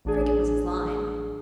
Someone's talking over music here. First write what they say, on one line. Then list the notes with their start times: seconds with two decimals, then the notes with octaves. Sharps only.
Cricket was his line.
0.05 A1 D4 G#4